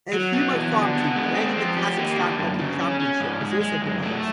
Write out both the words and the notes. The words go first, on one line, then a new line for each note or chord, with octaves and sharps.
A Humo farm team playing in the Kazakhstan Hockey Championship was also proposed.
F#3
B3
E3
D3
B3
G#3
C4
F3
G4
A#3
D3
F#2
C#3
C#4
C#4
G#2
G#3
G#3
F#2
A3